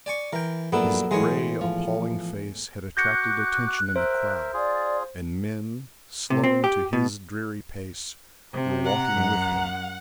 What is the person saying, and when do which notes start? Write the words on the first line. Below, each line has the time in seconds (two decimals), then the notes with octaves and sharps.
His gray, appalling face had attracted attention in the crowd, and men, slowing to his dreary pace, were walking with him.
0.06 D5 G#5 C#6
0.33 E3 A#4 G5
0.72 A#1 F#3 B3 D4 E4 A4 A#4
1.11 A2 E3 G#3 G#4 C#5
1.61 F3
2.97 F#4 D6 F#6 G6 A#6 C#7
3.96 A#4 C5 E5
4.54 F4 G#4 D5
6.30 C3
6.44 C4
6.64 G4
6.93 B2
8.53 C3 C5
8.86 F#5 A#5
9.15 F#2